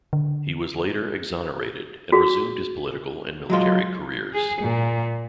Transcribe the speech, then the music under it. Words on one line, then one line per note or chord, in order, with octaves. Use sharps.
He was later exonerated and resumed his political and military careers.
D3
F#4 G#4
F#3 G#3 F4
G#4
A#2